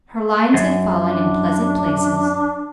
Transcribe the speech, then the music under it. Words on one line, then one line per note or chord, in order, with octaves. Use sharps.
Her lines had fallen in pleasant places.
F#2
D4